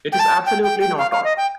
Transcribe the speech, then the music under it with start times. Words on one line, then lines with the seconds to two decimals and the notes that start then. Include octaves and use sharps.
It is absolutely not on.
0.12 G5
0.20 A5
0.46 G5
0.63 G5
0.80 G5
0.98 F5
1.12 F5
1.24 D#5
1.37 G5